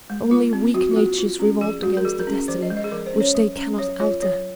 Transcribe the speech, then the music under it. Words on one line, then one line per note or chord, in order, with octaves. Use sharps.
Only weak natures revolt against a destiny which they cannot alter.
G#3
F4
C4
F#3 F#4
F4
A#3 F#4
F4
C#4
F3 G#4
G#3 F#4
A#4
F3 G#4
A#4
C#4
G#4
F3 C5
D#5
G#3
D#5
G#4
F3 A#4
C5
C#4
C#5
F#3
C#4
F#3 C#5
F4 C#5
F#3 C#5